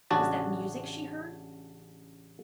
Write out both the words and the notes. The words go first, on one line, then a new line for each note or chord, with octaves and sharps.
Was that music she heard?
A1 C#3 D4 F#4 A5